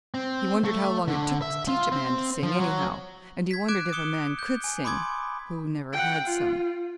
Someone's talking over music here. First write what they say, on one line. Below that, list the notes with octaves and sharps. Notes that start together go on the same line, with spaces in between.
He wondered how long it took to teach a man to sing, anyhow; and he wondered if a man could sing--who never had sung.
C4
A3
D3
E5
F4
C4
F3
F#3
G#6 B6
D6 F#6 G#6 D7 E7
D#6 C#7 G7
G6
G#5
B5 C6 D6 D#6 G#6
F#5 G5
F4